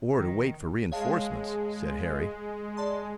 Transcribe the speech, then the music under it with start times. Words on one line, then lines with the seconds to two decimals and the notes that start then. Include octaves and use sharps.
"Or to wait for reinforcements," said Harry.
0.16 D#3
0.92 G#3 C#5 F5 A5
2.77 D5 A5 C6